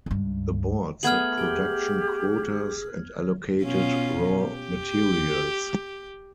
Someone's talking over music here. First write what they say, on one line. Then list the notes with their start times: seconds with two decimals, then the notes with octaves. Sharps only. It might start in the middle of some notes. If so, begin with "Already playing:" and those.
The board set production quotas and allocated raw materials.
0.06 C#2 G2
1.03 A3 B3 G#4 F6 G#6 F#7
1.38 G4 G#4 G5
3.63 B2 C#4 F4
4.43 G4